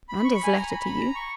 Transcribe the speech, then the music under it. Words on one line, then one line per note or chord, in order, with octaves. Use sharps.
"And his letter to you."
B5
C#6
B5
G#5
A#5
B5
B5
A#5
C#6